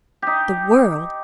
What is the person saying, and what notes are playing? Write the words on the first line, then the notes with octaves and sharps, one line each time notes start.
The world!
D#4 G4